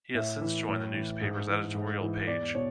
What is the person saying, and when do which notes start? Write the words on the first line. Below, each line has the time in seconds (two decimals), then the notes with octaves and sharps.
He has since joined the newspaper's editorial page.
0.14 A2 E5
0.41 E3
0.69 A2
0.94 E3
1.21 G#2
1.48 E3
1.74 G#2
2.01 E3
2.27 E2 D5
2.55 B2 C#5